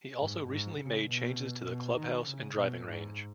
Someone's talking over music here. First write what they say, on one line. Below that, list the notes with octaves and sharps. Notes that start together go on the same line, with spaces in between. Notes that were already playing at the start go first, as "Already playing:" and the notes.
He also recently made changes to the clubhouse and driving range.
G#2
G#2
C#3
B2
B2
D#3
C#3
B2
G#2